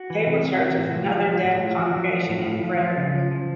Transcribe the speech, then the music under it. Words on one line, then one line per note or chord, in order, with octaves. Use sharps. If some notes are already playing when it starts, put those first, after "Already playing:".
The Table Church is another deaf congregation in Frederick.
Already playing: F#4
E3
C3
C3
E3
A2 F#4
F3
F3
F3
A2
F3
F3 F#4
F3
F3
A2
A2
F3
F3 F4
C#3
F3
F3